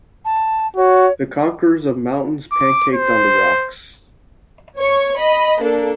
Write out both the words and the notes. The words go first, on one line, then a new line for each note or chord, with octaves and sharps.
These conquerors of mountains pancaked on the rocks.
A5
F#4 C#5
D6
C5
C#5 C#6
D#5 B5
A#3 D4 A4